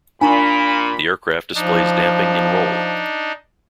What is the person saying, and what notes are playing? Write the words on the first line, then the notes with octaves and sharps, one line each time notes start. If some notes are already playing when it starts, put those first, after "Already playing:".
The aircraft displays damping in roll.
A#2 D4 G#5 A#5 B5 C#6
F3 D4 D#4